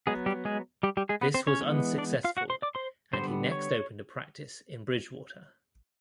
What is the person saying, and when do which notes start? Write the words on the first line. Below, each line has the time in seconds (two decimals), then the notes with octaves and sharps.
This was unsuccessful, and he next opened a practice in Bridgewater.
0.07 F#3 G#3 B3 G#4
0.26 G3 G4
0.45 G#3 G#4
0.83 G3 G4
0.97 G3 G4
1.09 G#3 G#4
1.21 B3 B4
1.34 C4 C5
1.47 C#4 C#5
1.61 E3 G#3 B3
1.98 D4 D5
2.24 F4 F5
2.37 F#4 F#5
2.50 C5 C6
2.62 D5 D6
2.75 C5 C6
3.13 D3 G3 B3 C5 C6
3.51 C#5 C#6